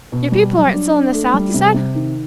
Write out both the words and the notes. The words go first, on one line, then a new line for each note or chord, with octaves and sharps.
"Your people aren't still in the South, you said?"
B2
G3
F#3
D4
D4
A3
G3
C3
C3
D#3